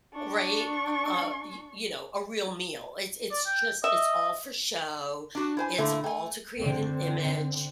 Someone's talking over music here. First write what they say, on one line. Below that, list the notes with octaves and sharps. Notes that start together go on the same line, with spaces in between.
right, uh uh, y you know, a real meal. It's it's just it's all for show, it's all to create an image.
D4 C#6
D5
G5
D#5 E5
D4 F#4
E4 C5 G#5
A#2 D3 A3 E4
A3 G#5
D3 C4